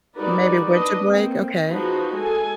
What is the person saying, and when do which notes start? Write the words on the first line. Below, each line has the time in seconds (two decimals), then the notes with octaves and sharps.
Maybe winter break, okay.
0.17 G3 D#4 F#4 A#4 B4 D5
0.69 D4 D#4 B4 D#5
1.04 A#3 C4
1.69 F3 D#4 F#4 G#4 B4
2.15 G#3 A4 G#5